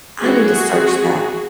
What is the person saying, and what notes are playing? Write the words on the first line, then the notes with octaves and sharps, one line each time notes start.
I need to search that.
E3 G#3 C#4 F#4 G#4
F3 G#3 C4